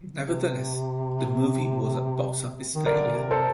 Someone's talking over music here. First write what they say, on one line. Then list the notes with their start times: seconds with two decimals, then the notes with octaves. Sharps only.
Nevertheless, the movie was a box office failure.
0.18 C3
2.75 D#3
2.86 D3 A#4 D5
3.07 A#2
3.16 C3
3.31 A4 C5